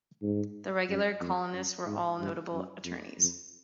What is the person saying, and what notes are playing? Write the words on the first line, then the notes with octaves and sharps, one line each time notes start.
The regular columnists were all notable attorneys.
G#2
F#2
F2
F#2
G#2
G2
F#2
F2
F2